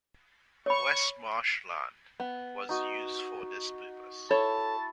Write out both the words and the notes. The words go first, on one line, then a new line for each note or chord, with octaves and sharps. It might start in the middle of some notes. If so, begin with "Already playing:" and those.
West Marsh land was used for this purpose.
C#5 B5 C#6
B3
D#4 F#4 D#5
E4 A4 C#5 A5 C#6